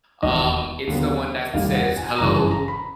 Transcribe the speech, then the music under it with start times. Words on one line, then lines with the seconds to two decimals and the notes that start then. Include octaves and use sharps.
um, it's the one that says, "Hello,
0.22 E1 D#2 D#3 D#5
0.87 D#2 D3 F#3 B3
1.54 F1 D#2 D#3 G3 A#3 F5
1.75 F#5
1.97 G#5
2.18 G1 F#2 C#3 E3 A#5
2.36 A5
2.51 A#5
2.68 B5